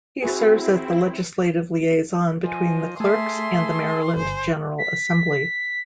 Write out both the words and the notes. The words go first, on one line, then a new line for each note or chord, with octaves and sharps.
He serves as the legislative liaison between the Clerks and the Maryland General Assembly.
C4 E4 F#4 G#4
F3 D#5 G#5
A3 G#4 A4 E5 C6
G1 C5 G#5
B6